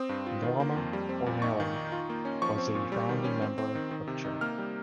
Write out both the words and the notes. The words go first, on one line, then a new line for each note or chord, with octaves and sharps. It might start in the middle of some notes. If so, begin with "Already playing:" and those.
Norma O'Malley was a founding member of Chug.
Already playing: C4 D#6
G2
F4
D#3
A#3
F2
G3
C4
A#2
D#4 C#6
D#3
D#4
F4
A#3
C#4
F3 C#6
C4
A#2
G3
D#3
C#4
C4
C4
D#3
D#3
C3
D#4
A#3 F6
G3